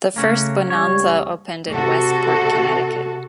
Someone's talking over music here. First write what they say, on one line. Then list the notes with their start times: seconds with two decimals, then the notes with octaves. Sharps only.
The first Bonanza opened in Westport, Connecticut.
0.16 C#3 A3 A#3 C#4 F#4
0.70 C#2 F#2 G3 C#5
1.70 C3 F#4 A4